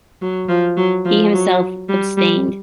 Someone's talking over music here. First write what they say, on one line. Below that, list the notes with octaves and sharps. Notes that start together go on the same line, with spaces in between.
He himself abstained.
F#3
F3
F#3
F3
F#3
G3
G3